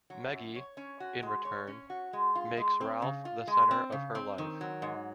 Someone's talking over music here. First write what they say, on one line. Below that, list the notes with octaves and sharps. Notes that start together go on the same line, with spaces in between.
Meggie, in return, makes Ralph the centre of her life.
F#3
F#2
C#5
C#4
F#4
G#3
C#5
C#4
F#4
G#3
F4
G#3
C4
C#3
F4
G#3
C4
C#3
C4
D#3
F#3
G#2